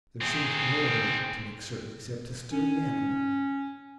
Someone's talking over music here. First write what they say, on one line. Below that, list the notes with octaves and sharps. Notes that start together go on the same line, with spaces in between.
There seemed no other way to make certain except to stir the animal.
C4 G#4
C#4